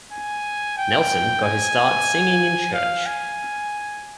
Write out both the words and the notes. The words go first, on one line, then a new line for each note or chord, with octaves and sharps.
Nelson got his start singing in church.
G#5
G5
G#5
F5
G#5